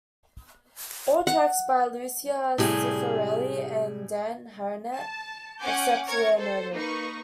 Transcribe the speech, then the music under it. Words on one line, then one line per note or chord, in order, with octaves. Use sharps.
All tracks by Lucia Cifarelli and Dan Harnett except where noted.
F#5
A2 C3 G3 G#4
A5
C#4 F#5 G#5 D6 G6
A#4 C#5 C#6 G#6
A4 C5
A#3 D#4 B4 C#6